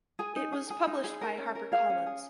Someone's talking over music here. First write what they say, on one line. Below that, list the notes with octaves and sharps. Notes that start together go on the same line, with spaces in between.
It was published by Harper Collins.
G#4 G#5
D#4
G#4
G#4
D#4
G#4
A#4
C#4
A#4
G#4 F5
C#4
G#4